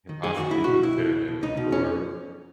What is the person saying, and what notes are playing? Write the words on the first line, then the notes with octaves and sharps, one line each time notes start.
can possibly considered an explorer,
D#3
F#2 G#4
D#3 F#4
C#2 E4
B2 F#4
C#2 E4
B2
C#2
B2
C#2 D#4
B2
C#4